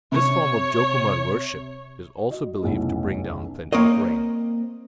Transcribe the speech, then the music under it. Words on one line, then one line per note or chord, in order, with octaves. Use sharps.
This form of Jokumara worship is also believed to bring down plenty of rain.
C3 C#5
F#4 D#5
F1 B1 C#3 B3 E4 G#4
A#3 C4 C#5 D#5